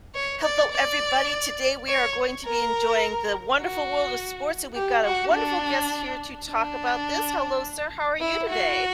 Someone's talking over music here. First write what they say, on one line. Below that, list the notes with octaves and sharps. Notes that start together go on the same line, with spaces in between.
Hello, everybody. Today, we are going to be enjoying the wonderful world of sports, and we've got a wonderful guest here to talk about this. Hello, sir, how are you today?
C#5
D5
D5
C#5
A#4
F#4
G4
F#4
D4
D4
E4
F#4